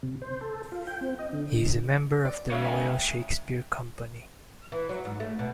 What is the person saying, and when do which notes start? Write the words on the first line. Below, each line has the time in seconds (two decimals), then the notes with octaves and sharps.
He is a member of the Royal Shakespeare Company.
0.03 C3
0.22 C5
0.41 A4
0.72 F4
0.87 G5
1.01 C4
1.19 D#5
1.33 D3
2.25 D5
2.51 C#3 G#3 C#5 E5 F5
2.65 D#3 C#4 E5 G#5
4.72 E3
4.89 F#3
5.05 G#2
5.20 A3
5.39 B2